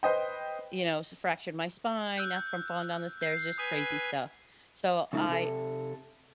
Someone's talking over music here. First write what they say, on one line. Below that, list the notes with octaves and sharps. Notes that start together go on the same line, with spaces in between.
you know, fractured my spine, not from falling down the stairs, just crazy stuff. So I
B4 C5 D#5 G5
E6 F#6 G6
G6 C7
B4 G#5 D#6
C#3 G#3 A3 D#4 F4
C3 A4